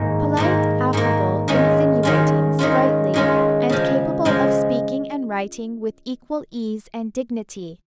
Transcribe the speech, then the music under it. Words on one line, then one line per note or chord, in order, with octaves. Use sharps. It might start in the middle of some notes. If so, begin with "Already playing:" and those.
Polite, affable, insinuating, sprightly, and capable of speaking and writing with equal ease and dignity.
Already playing: G#2 D#3 A#3
G#2 D#3 A#3
G#2 D#3 A#3
D#3 G#3 C#4 F4
D#3 G#3 C#4 F4
D#3 G#3 C#4 F4
D#3 G#3 C#4 F4
C#3 F3 G#3
C#3 F3 G#3